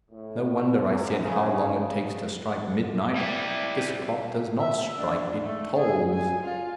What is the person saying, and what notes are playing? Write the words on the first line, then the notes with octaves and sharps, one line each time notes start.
No wonder I said, 'How long it takes to strike midnight!' This clock does not strike; it tolls.
A2
F#2
C#3
G3 E4 G4
E5
D4
A3
G#4
G#5
F4